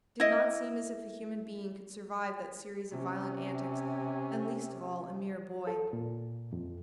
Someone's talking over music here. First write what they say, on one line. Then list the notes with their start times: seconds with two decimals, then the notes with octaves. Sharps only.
It did not seem as if a human being could survive that series of violent antics, and least of all a mere boy.
0.20 E4 D#5
2.92 C3 C#4
5.67 A4
5.93 A#2
6.53 F2